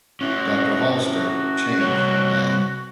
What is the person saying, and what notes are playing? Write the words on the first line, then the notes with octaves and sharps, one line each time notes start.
Doctor Halsted changed all that.
C#4 E4 F#4
F#4
C3 G3 C#5